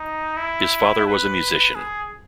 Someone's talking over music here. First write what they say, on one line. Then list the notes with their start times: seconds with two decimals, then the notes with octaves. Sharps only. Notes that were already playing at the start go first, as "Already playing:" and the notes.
His father was a musician.
Already playing: D#4
0.37 E4
1.06 B4
1.75 G#4